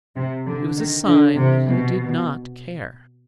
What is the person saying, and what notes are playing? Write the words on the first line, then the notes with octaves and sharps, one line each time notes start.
It was a sign that he did not care.
C3
D3
D#3
D3
C3
B2